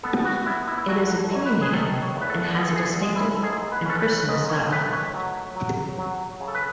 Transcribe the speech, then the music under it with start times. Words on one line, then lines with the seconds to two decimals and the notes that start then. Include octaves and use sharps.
It is opinionated and has a distinctive and personal style.
0.03 B3 A4
0.25 F#4
0.46 B3 E4
0.67 E4
0.78 E4
0.88 F#3 F#4
1.17 A4
1.31 G#2 C#5
1.46 B4
1.61 G#4
1.73 D#3 A4
2.02 C#5
2.16 E2
2.21 B4
2.30 A4
2.59 E2 G#4
2.68 A4
2.76 G#4
3.01 G#3
3.16 E4
3.36 A4
3.43 G#2 G#4
3.72 B4
3.86 C#4 A4
4.01 B4
4.28 G#2 D#5
4.49 C#5
4.71 A3 B4
4.93 C#5
5.14 F#3
5.56 F#3
5.98 F#3
6.40 C#3
6.48 A4
6.55 B4